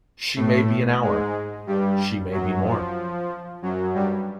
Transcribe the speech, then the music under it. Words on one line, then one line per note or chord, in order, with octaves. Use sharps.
She may be an hour, she may be more.
A2 A3
G#2 G#3
G2 G3
F#2 F#3
F3
F#2 F#3
G2 G3